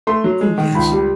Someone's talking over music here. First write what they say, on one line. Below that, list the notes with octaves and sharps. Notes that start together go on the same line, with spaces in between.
"Oh, yes."
A3 C6
F#3
G#3
D#3
C#2 B5
G3